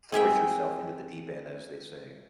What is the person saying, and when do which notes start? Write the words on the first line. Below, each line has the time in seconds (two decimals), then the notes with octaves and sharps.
force yourself into the deep end, as they say.
0.12 C4 G#4 E5 G5